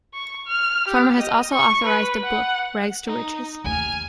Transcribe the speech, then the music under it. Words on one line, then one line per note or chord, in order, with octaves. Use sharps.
Farmer has also authored a book, Rags to Riches.
C#6
F6
G4
D#5
C#6
B4
F#5
D#4
D#2 A3 G#5 F6